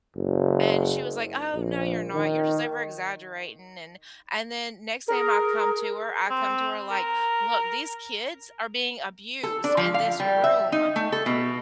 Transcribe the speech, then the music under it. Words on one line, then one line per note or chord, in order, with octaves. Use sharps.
and she was like, "Oh no, you're not, you're just over exaggerating, and" and then next time I come to her, I come to her like, "Look, these kids are being abused in this room,
F#1
A#1
D#3
G#4 A#4
C4
A#4
A4
D4
F3
F5
G3
E5
D#4
A3
A4
B2